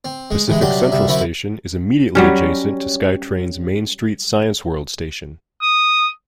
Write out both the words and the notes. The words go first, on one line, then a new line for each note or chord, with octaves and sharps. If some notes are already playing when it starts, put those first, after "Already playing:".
Pacific Central Station is immediately adjacent to SkyTrain's Main Street-Science World station.
C4
G#3
C3 E3 G#3
G2 C3 F#3 G3 C6 D6
C2 G3 E5
F#2 C4 E4 B5 C#6 D6
F#3 G3 C#4
D#6